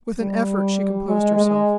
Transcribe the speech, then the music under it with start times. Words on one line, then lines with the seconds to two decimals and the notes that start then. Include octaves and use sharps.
With an effort she composed herself.
0.21 G3
1.08 G#3
1.36 G#3